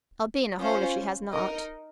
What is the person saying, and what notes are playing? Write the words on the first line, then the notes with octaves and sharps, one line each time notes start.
I'll be in a hole if she has not.
C#4 F4 C5
D#4 A#4 D#5